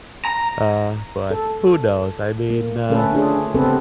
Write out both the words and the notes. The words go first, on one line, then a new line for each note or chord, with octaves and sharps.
uh, but who knows, I mean, uh,
A#5
A4
A#3
D3 A3 C#4 A4 B4
D4 F4 G#4
C#3 B3 C4 G4 A4 B4